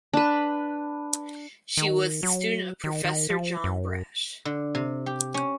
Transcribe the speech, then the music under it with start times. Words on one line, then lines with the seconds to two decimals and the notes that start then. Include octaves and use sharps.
She was the student of Professor John Brash.
0.13 D4 B4
1.77 D#3
2.23 F#3
2.84 D#3
3.04 D#3
3.30 F3
3.64 F#2
4.45 D3
4.75 C3
5.06 G4
5.34 C#4